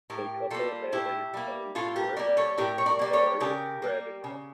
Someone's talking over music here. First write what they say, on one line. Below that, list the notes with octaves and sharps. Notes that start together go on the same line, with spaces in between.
They couple had a son, Martin, and daughter, Radka.
A2 G4 A#4
G3 A#3 F4 A4
A2 E4 G4
G3 A#3
A2 F4 A4
G4 A#4
G3 A#3 A#4 D5
A4 C#5
A2 G4 A#4
C#5
A#4 D5
G3 A#3 D5
A4 C#5
C#3 G4 A#4
G3 A#3
C#3